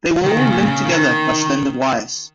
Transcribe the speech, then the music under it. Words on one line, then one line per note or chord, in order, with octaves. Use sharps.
They were all linked together by slender wires.
D#3
C#3
A#2
C#3
D#3